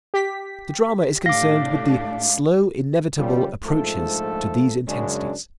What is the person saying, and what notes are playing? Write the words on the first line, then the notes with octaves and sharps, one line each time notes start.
The drama is concerned with the slow, inevitable approaches to these intensities.
G4 B6
A2 A3 D4 F5 D6 A#6
A#2 C#3 F3 G3
A#1 G#2 F3 A3 A4
F#2 C#3 G#3 C#4 D4